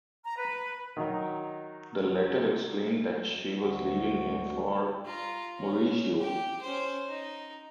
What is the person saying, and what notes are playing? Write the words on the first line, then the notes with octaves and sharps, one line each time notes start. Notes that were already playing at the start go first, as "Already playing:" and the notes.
The letter explained that she was leaving him for Mauricio.
A#5
B4
D#3 F#3 D#4
D2 F#4
F4 A#5
C#4
G4
C#4 C5
D#4